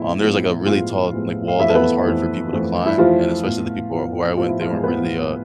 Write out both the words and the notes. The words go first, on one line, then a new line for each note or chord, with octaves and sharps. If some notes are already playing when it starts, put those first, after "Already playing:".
um there's, like, a really tall, like, wall that was hard for people to climb, and especially the people who I went they weren't really, uh,
Already playing: A2 F3 G#3 B3 E4
A2 F3 G#3 B3
A2 F3 G#3 B3 F4 F5
A2 F3 G#3 B3
F5
F2 E3 A3 E4 E5
A4
B3 B4
F2 E3 A3
F2 E3 A3
E4
F2 E3 F3 A3 F4
A2 F3 B3
A2 F3 B3
A2 F3 B3 F4
E4
F3 F4
G#3 G#4
A2 F3 B3 B4